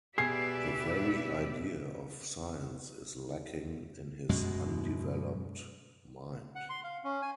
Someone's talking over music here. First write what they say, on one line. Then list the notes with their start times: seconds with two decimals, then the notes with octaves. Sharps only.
The very idea of science is lacking in his undeveloped mind.
0.18 B2 G4 G#4 B4 D5 E5 C7
4.29 F#2 B2 G#3
6.56 F#5
6.70 C6
6.84 F5
7.04 C#4
7.22 G#5